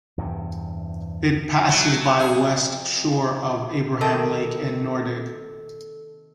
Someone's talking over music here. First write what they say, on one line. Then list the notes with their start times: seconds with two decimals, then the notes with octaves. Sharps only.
It passes by west shore of Abraham Lake and Nordegg.
0.18 E2 G2 C3
1.69 F#3 A3
2.19 F2 G#4
4.01 C3 D#3 A#3 A4 D#5 G5 A5